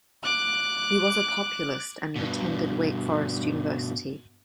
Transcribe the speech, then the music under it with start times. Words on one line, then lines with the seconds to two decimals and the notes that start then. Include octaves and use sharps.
He was a Populist and attended Wake Forest University.
0.24 D6 F#6
2.16 G2 B2